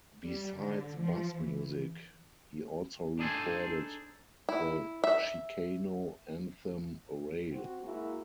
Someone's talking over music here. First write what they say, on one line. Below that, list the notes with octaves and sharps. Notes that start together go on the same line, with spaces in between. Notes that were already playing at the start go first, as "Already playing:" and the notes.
Besides bass music, he also recorded the Chicano anthem "Orale".
G3
D3
F3
E3
D4 D#4 G#4 A4 C5 G#5
E4
E5
C4 F#4
G#3 A#3 E4 F#4